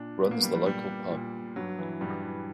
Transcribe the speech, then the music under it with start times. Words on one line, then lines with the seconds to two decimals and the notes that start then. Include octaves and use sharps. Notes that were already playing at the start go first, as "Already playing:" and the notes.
Runs the local pub.
Already playing: A#2 D4
0.21 A#2 B3
0.31 A#3
0.43 G3
0.54 G3
0.66 A#2 G3
1.10 A#2
1.56 G2 F#3
1.79 E3
2.01 G2 G3
2.23 E3